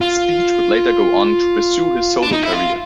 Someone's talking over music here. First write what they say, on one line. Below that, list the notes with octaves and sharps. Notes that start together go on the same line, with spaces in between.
Speech would later go on to pursue his solo career.
F4
D4
D#4
E4
F4